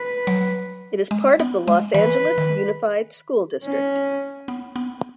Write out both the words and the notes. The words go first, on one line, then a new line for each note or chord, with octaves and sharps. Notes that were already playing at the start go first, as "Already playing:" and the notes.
It is part of the Los Angeles Unified School District.
Already playing: B4
F#3
G#3
B3
G#3
E3 B4
D#3
C#4
B3
B3